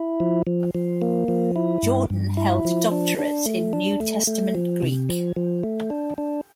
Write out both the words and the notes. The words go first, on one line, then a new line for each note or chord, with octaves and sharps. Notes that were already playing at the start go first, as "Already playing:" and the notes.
Jordan held a doctorate in New Testament Greek.
Already playing: E4
F3
F3
F3
A#3
F3
E4
G2
G2
E4
F3
D4
D4
A3
D4
A3
A3
F3
C3
F3
F3
A3
D4
D4